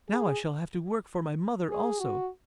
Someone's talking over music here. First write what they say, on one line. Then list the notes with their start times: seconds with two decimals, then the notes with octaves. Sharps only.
Now I shall have to work for my mother also.
0.10 G#4
1.70 G#4
2.00 F#4